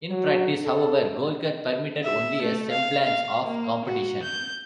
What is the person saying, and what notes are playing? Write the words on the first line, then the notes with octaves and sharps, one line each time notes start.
In practice, however, Golkar permitted only a semblance of competition.
F#3
A4
E5
A3
F5
F5
A#3
F#4
G6